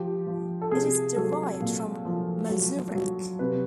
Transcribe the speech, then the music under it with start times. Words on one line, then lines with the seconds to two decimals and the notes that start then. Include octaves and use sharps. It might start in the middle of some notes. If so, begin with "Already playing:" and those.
It is derived from mazurek.
Already playing: F3 G4
0.27 F3
0.61 A4
0.71 C3 G#4
1.16 F#3 A4
1.61 A#2
2.05 F3
2.50 F#3
2.95 F#3
3.39 C3 B4